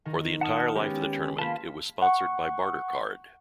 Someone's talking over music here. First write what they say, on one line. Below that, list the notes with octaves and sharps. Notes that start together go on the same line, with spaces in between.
For the entire life of the tournament it was sponsored by Bartercard.
D#3 A#5
F#5 A5 D#6 F6
G#3 B3 C#4 G4
A#3 F4 A5 B5
F#5 C#6